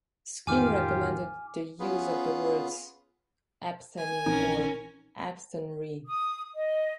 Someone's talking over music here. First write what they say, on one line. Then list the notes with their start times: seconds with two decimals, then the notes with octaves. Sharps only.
Skene recommended the use of the words "abthany" or "abthanry".
0.47 A1 F2 D#3 F4 G4 G#5 D6 F6
1.80 B3 C#4 F4 G#4 B4
3.98 G#5
4.26 A#1 E3 C4 C#4 D#4 A#4
6.07 D#6
6.55 D#5